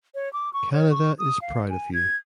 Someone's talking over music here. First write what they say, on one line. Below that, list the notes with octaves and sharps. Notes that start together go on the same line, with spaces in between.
Canada is proud of you.
C#5
D6
C#6
C#5
C#6
D#6
F5
G#5
G#6